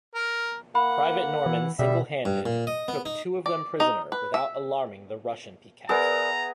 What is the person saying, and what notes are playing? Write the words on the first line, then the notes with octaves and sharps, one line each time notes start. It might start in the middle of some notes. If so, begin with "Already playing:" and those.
Private Norman single-handed, took two of them prisoner without alarming the Russian picquet.
A#4
A#3 F#5 B5
E3
B2 G3 E5
G2
A#2
D#5
B3
D#4
D5
D#4
B4
E5
B3 G#4 A#4 D5 E5 A#5